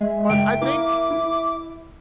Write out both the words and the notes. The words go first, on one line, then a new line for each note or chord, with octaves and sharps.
But I think
G#3 E5
F#1 G5 D7
A#3 E4 A#4 D6
E4